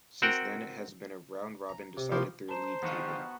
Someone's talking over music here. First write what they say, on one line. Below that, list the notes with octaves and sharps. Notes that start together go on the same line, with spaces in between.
Since then it has been a round-robin decided through a league table.
C4 F#4 A#4 F#5 G5
A#5
C3
C3 F3 A#3 E4
C5 A5 A#5 E7
G2 D#3 F3 B3 F#4 C#6